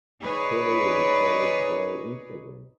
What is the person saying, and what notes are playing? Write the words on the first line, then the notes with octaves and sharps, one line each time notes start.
Taylor was discovered via Instagram.
D#4 G#4 B4 C#5 D5